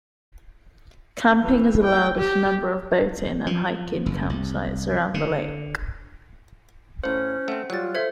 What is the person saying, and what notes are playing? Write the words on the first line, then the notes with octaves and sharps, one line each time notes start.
Camping is allowed at a number of boat-in and hike-in campsites around the lake.
E3
G5
G4
F3
F#1
C2
D3
A2 C#4 C5 F5
A3 C4 F#5
F#3 G3 F4 F#6 A6
A4 C5 E5 G#6